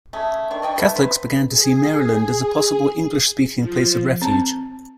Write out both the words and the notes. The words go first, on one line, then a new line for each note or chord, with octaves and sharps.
Catholics began to see Maryland as a possible English-speaking place of refuge.
A3 C#4 G#4
D#3 D4 C#6
D5 D#5 G5 C#6
A3 B3 B4
B4 C5
G#4
F3
C4 A5